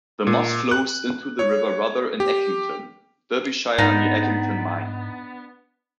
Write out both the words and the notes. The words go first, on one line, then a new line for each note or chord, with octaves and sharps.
The Moss flows into the River Rother in Eckington, Derbyshire, near Eckington Mine.
A#2
F#6
C#5
G4
G#2 B3 D4 D#4